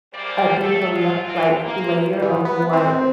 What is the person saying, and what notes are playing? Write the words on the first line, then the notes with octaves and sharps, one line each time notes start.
a deeper le like, layer of what
F#2 C#3 G3 A#3 C5 D5
A3 A4
F#3 G#3 F4
D3 C4 F4
A#3
E3
B3
C4